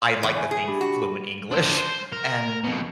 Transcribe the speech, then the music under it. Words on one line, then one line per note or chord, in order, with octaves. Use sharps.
I like to think fluent English, and
E2
G#5
G#4
D4 G4 B5
F#4
D4 C5
C5
A#4
F2 B2